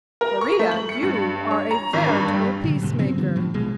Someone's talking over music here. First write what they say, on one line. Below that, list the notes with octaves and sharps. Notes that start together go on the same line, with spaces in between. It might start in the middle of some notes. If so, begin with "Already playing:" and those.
"Maria, you are a veritable peace-maker!"
A#4
C#6
A3
F#7
C#7
G2
C#5
A#5
G#1
G2
G3
A2 D3 F#3
D2 G#2 C3
C#3 F#3 B3 C4
G2 D3 F3 F#3
A2 F3
A#1 B2 G#3